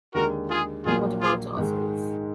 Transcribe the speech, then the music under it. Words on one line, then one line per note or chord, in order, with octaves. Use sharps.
What about our souls?
D#2 D3 G#3 F#4 A#4
F4 G#4
A#1 A#2 F#3 A#3 F4 G#4
F4 G#4
G#2 D#3 G#3